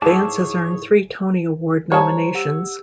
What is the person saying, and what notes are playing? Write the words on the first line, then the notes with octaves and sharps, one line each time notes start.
Vance has earned three Tony Award nominations.
G#2 E4 G#4 C#5 A5 D6
G3 C5 C#5 A5 A#5
G4 F#5 E6